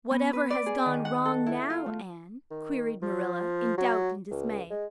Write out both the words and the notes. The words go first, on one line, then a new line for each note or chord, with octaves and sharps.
"Whatever has gone wrong now, Anne?" queried Marilla in doubt and dismay.
B3
B4
D5
G#4
D#3
F#5
A4
E4
F4
A3
D#3
F3
F#3
C#2
G#3